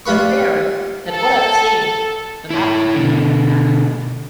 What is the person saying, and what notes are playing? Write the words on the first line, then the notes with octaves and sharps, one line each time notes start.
In theory it would have seem to have been merely annual.
G3 F4 B4 C#6
A4
E4 C#5
B2 D3